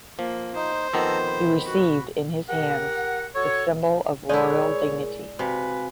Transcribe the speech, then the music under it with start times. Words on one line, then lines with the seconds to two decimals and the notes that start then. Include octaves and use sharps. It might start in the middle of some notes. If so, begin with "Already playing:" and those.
He received in his hands the symbol of royal dignity.
0.19 F3 A#3
0.55 D#4 C5
0.93 F2 D#3 B3 A5 A#5 E6
1.27 B5
1.66 F#4
2.48 G4 A#4 F#5
3.34 F#4 A4 C#5
4.29 G#3 E4 G#4 A#4 C#5 D5
5.39 C3 F#4 B4 F5 G#5